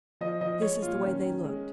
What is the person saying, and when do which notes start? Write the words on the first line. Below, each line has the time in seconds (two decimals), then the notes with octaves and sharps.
This is the way they looked.
0.21 F3 D#5
0.41 F3 D#5
0.62 G#3 C#5
0.82 A#2 F4
1.02 D#3 C#4
1.23 D#3
1.44 G#3